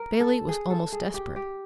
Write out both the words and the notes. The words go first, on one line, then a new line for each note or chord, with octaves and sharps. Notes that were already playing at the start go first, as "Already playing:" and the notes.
Bailey was almost desperate.
Already playing: A#4
A4
G#4
A4
G#4
G4
G4